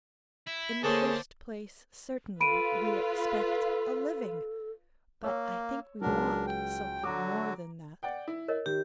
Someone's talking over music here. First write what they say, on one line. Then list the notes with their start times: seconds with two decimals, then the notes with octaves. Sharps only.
In the first place, certainly, we expect a living, but I think we want something more than that.
0.47 E4
0.83 D3 A3 A#3 C#4 G#4 C5 A5
2.41 F4 A4 B4 B5 D7 D#7
5.24 A#3 C#5 E6
6.02 C#2 F#3 D4 A#4
6.46 G5
7.04 D3 F#3 F#4 A#5 D6
8.03 D5 F#5 G5
8.28 E4
8.48 A#4 C#5 D#5
8.66 D#3 G4